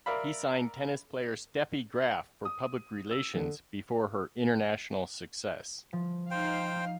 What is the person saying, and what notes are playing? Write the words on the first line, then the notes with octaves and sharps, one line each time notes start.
He signed tennis player Steffi Graf for public relations before her international success.
A#4 D5 E5 F5 B5
D#6
E6
D3
F3
D#4 C5 F5 G5